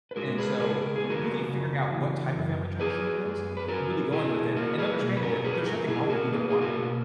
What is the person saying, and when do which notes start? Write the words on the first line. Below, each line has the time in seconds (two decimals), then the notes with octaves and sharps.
And so really figuring out what type of family tradition it is and really going with it and understanding that there's nothing wrong with either one,
0.11 B4
0.16 G#3 F#4 A#4
0.38 G#4 B4
0.60 C#3 G#4 B4
0.82 A#4
0.96 G#4
1.04 B3
1.10 F#4 A#4
1.49 C#3
1.92 E3
2.37 F#2
2.80 B3 G#4 B4
3.24 F#2
3.57 B4
3.68 F#3 F#4 A#4
4.12 B2 E4 G#4
4.56 A#3 F#4 A#4
4.78 G#4 B4
5.00 B2
5.17 B4
5.22 F#4 A#4
5.44 F#3 G#4 B4
5.59 G#4
5.66 F#4 A#4
5.88 B2 E4 G#4
6.02 G#4
6.10 F#4 A#4
6.32 A#3 G#4 B4
6.50 G#4
6.61 F#4 A#4
6.77 B2